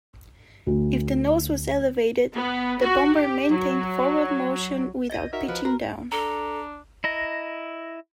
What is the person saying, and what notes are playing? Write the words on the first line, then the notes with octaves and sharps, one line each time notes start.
If the nose was elevated, the bomber maintained forward motion without pitching down.
D2
B3
F#4
G4
F#3
D5 D#5 G6 A#6 D#7
D#4 F#4 A#4 E5
F3 B4
F#4 A#4
D4 A4 A#5
E4 D#5 A#5